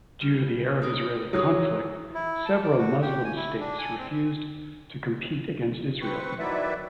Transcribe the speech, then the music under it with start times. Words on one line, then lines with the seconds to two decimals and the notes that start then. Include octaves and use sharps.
Due to the Arab-Israeli conflict, several Muslim states refused to compete against Israel.
0.21 G3
0.82 D#4 A#4 B4
1.33 F#3 D#4 G#4 A#4
2.15 E4
2.46 A5
2.64 D5
2.78 F#4
3.02 G4
3.25 G#5
3.36 E4
3.60 D4
3.78 G#5
3.98 C4
6.02 C4 B4 C#6
6.39 D#3 F#3 E4 B4 D5 E5